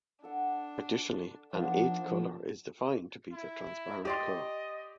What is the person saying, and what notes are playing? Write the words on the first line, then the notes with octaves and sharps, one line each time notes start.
Additionally, an eighth color is defined to be the transparent color.
D4 A4 F#5
F3 A#3 B3 D4 D#4
E4
G4 D5 D#5 C6